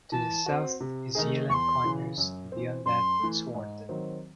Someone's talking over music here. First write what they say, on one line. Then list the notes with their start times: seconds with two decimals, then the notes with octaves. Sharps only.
To the south is Yealand Conyers and beyond that is Warton.
0.12 E3 A5
0.46 C4 F#4
0.80 C3
1.15 D#3 A3 D#4 G#4
1.49 E2 C#6
1.54 C6
1.84 C#3 E3
2.18 F#2
2.52 E3 C4
2.86 F#2 C6
3.19 E3 A3
3.54 G#2
3.89 D#3 F#3 C4